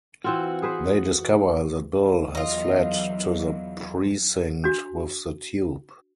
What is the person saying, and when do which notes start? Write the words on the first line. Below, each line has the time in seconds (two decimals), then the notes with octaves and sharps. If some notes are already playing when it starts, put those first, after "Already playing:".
They discover that Bill has fled to the precinct with the tube.
0.24 E3 C4 F4 F#4
0.62 G#4 B4 C5
2.35 E2 F#3 F4 D#5
4.64 D4 F#4